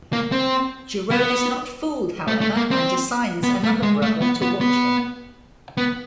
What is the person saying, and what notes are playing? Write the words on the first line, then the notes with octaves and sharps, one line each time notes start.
Jerome is not fooled, however, and assigns another brother to watch him.
A#3
C4
B3
A3
A3
A#3
C4
B3
A3
G#3
A3
B3
B3
B3
B3